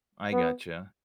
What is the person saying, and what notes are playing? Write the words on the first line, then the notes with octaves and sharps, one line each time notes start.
I gotcha.
B3